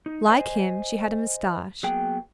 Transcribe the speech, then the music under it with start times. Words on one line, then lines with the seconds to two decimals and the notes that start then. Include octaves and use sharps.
Like him, she had a mustache.
0.06 D#4
0.28 C5 D#5 G#5
1.83 F#3 A#3 B3 G#4 G5